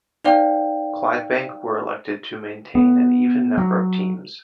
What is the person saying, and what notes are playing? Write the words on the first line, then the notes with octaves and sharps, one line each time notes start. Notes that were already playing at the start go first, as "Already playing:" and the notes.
Clydebank were elected to maintain an even number of teams.
D#4 C5 D5 F5 G5
B3
F#3